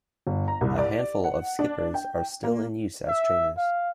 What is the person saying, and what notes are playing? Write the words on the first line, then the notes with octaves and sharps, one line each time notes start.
A handful of Skippers are still in use as trainers.
G1
A#5
C2
D5
F#5
D4
G5
A#3
E5
F5